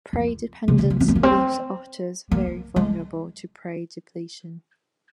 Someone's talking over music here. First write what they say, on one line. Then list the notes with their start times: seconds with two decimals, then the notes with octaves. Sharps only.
Prey-dependence leaves otters very vulnerable to prey depletion.
0.13 F2
0.68 C3
0.79 C#3
0.90 F3
1.00 C#4
1.08 C4
1.16 A#3
1.23 C4
2.32 A#3
2.76 G#3